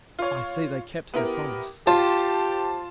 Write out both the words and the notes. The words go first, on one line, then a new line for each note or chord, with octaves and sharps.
"I see they kept their promise."
F4 C#5
B3 E4 G4 A#4
F4 G4 C5 A5